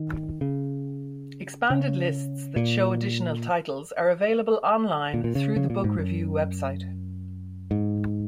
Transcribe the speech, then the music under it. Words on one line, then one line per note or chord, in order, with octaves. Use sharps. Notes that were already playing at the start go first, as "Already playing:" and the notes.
Expanded lists that show additional titles are available online through the Book Review website.
Already playing: D#3
C#3
C#3
A#2
A#2
A#2
C#3
C#3
A#2
G#2
F#2
G#2